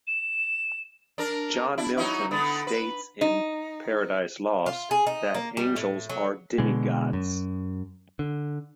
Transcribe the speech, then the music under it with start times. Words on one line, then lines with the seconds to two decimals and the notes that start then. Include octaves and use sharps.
John Milton states in "Paradise Lost" that angels are demigods.
0.07 E7
1.18 D4 A#4
1.78 D4 E4
1.97 F#3 D#4 E4
2.31 D3 B3
2.67 B4
3.21 D#4
4.66 F4
4.91 G#4
5.07 D#4
5.34 A#3
5.57 G3
5.76 A2
6.10 F#3
6.58 B2 D3 G#3
7.13 F#2
8.19 D3